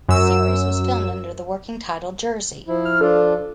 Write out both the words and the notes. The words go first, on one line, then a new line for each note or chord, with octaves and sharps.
The series was filmed under the working title "Jersey".
F#2 E6
F3 E4
F6
F3 D4 F4 A4